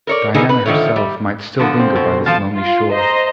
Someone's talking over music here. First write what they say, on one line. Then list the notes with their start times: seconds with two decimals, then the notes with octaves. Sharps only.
Diana herself might still linger by this lonely shore.
0.07 A#4 C#5 D5
0.34 D3 D#3 F3 B3 D#4 G#4
0.49 B4
0.66 D3 D#3 F3 A3 C#5
0.96 G3
1.59 D3 F3 B3
1.79 C4
1.96 B2
2.26 F3 F5 A5
2.57 F4
2.93 C5 D#5 A#5